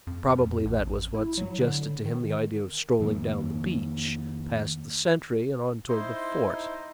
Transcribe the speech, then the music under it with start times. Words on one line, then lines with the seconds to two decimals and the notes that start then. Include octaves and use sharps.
Probably that was what suggested to him the idea of strolling down the beach, past the sentry, and on toward the fort.
0.07 F2
0.31 F2
0.65 A1
1.14 E4
1.37 F#3
1.59 D3
2.05 D#3
2.99 F2 D#3 A#3
5.89 D#4 E4 C5 D#5 C6